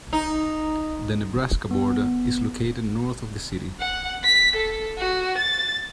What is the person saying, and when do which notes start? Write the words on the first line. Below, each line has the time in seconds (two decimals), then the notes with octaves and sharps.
The Nebraska border is located north of the city.
0.13 D#4
1.71 B3
3.80 F#5
4.24 B6
4.56 A4
4.98 F#4
5.38 A6